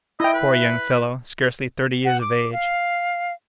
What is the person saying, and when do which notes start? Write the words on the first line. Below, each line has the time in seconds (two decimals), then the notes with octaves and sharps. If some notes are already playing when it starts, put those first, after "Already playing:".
"Poor young fellow--scarcely thirty years of age!"
0.20 E4 D#5 E5 G5
0.34 B4
2.05 F#5
2.21 D6
2.53 F5